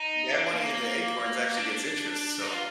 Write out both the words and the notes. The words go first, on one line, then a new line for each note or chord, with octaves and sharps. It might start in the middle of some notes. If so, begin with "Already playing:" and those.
that money in the acorns actually gets interest, so
Already playing: D#4
D4
A#3
D4
D#4
F4